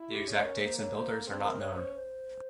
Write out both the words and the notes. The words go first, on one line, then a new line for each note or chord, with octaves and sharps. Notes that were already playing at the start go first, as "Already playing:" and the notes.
The exact dates and builders are not known.
Already playing: E4
G4
C#4 G#4
A#4
A#3 C5
C#5
C5
A#4
C4 G#4
C5
A#4
C#4 C#5
A#4
C5
C5